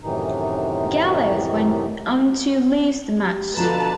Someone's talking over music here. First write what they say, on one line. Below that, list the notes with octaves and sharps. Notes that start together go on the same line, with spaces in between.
Gallows went on to lose the match.
F#2 A2 C3 D#3 E3 D#4
G4
B2 D3 F3 F4 B4 A5 A#5